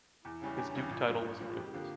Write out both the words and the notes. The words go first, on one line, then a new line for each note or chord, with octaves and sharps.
His duke title was removed.
E2 E4
C#3 E3 G3 C#4
E2 D4
C#3 E3 G3 C#4
A1 F4
G2 F3
A1
G2 F3
F2 G4
D3 F3 A#3